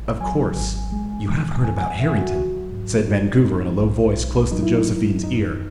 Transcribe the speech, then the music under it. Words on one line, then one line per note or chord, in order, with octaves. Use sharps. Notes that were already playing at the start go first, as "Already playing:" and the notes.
"Of course you have heard about Harrington?" said Vancouver in a low voice close to Josephine's ear.
Already playing: G#1
F#3 G#5
G#1
G#3
E3
C#2 G#5
G#5
F#5
C#2 E5
F#4
F#3 F#4
G#2
G#3 D#4
G#3 D#4
B1
B1
F#3 D#4
E4
D#4
D#3
F#2 D#4